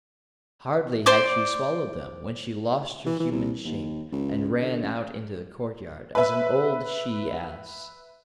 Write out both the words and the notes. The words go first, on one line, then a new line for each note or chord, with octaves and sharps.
Hardly had she swallowed them, when she lost her human shape, and ran out into the courtyard, as an old she-ass.
C5 D5 C6 D6
E3
E3
C2
D#2
C#2
D3
A1
B4 E5